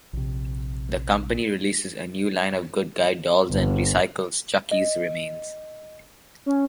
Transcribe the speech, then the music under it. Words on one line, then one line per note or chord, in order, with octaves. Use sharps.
The company releases a new line of Good Guy dolls and recycles Chucky's remains.
A#1 C3
G1
D#5
C#4